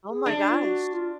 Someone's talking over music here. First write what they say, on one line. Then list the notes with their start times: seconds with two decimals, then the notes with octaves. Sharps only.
Oh my gosh.
0.08 G#4
0.26 D4
0.50 F4
0.60 F#4
0.93 F4